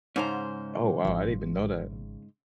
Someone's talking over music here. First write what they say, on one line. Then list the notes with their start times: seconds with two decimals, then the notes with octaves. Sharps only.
Oh, wow. I didn't even know that.
0.16 G#2 C#3 G#3 C#4 C5 A#5
1.05 G#1 F3